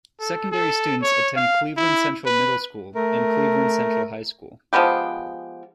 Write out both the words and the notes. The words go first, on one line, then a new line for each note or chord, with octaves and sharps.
Secondary students attend Cleveland Central Middle School and Cleveland Central High School.
A4
A4
C#5
F5
E4
B4
A3 A#4
F3 G#3 B3 G4